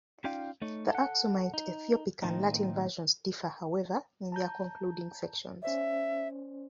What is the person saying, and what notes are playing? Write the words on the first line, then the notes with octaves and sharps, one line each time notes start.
The Aksumite Ethiopic and Latin versions differ, however, in their concluding sections.
C#4 D#4 F4 D5 F5 G5
A3 D#4 C#5
A4 F#5
D#4
A2 D#3 A#3 C4 D#4
A5 A#5 G6
C#4 C5 D5 E5